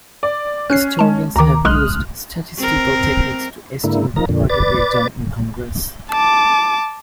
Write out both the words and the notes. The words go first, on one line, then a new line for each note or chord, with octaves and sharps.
Historians have used statistical techniques to estimate the party breakdown in Congress.
D5
C#4 F6 F#6 C7
G#3 A5
D2 D#3 A#5 D6
B1 G#3 C6 D#6 F6 F#6
C4 A#4
G#2 D3 A#3 E4
F3 D#4 A#4 A#5
F2 A#2 D3
B4 D5 D6 A6
A5 D6